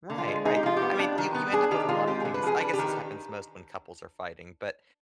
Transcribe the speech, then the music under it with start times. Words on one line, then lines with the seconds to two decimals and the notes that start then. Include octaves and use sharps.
Right, right. I mean, you, you end up with a lot of things, I guess this happens most when couples are fighting, but,
0.10 D3
0.18 F4
0.27 G#3
0.45 D#4 G#4
0.56 G4
0.63 F3 F4
0.76 G4
0.82 B3
0.99 D4
1.18 D#3
1.34 B3
1.53 D4 G#4
1.71 D#3 G4
1.89 G#3 F4
2.07 C4 G4
2.20 G#4
2.25 D3
2.34 B4
2.43 F3 G#4
2.60 D4 B4
2.73 G4
2.78 D#3